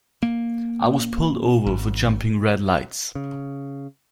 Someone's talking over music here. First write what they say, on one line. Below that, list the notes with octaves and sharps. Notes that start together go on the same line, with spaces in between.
I was pulled over for jumping red lights.
A#3
G#1
C#3